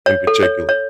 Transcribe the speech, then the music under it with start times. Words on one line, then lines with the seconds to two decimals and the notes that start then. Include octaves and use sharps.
in particular?
0.06 C#5
0.27 A4
0.43 C#5
0.69 C#5